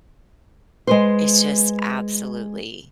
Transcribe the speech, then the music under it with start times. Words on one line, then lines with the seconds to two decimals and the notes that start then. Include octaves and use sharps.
It's just absolutely
0.87 G#3 B4 C5